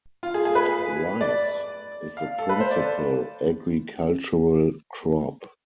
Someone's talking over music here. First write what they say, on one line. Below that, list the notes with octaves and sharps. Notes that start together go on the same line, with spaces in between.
Rice is the principal agricultural crop.
F4
G#4
G#4
B4
D5
F5
A4
B4
C5
D5